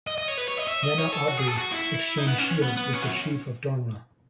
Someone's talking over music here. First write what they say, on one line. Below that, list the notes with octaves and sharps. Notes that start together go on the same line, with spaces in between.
Nana Obiri exchanged shields with the Chief of Dormaa.
D#5
D#5
C#5
B4
C#5
D#5
E5
D#5
C#5
A4
F#4
G#4
A4
F#4
E4
D#4
B3
C#4
B3
B3
C#4
F#4